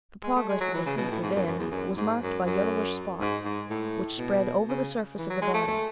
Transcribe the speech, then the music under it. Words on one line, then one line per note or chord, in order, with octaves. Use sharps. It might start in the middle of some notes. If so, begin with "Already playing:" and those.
The progress of the heat within was marked by yellowish spots, which spread over the surface of the body.
G#3
A3
G#3
F#3
E3
C#3
B2
A2
G#2
F#2
F#2
E2
F#2
G#2
F#2
F#2
G#2
G#2
A2
B2
C#3
E3
F#3
G#3
A3
A3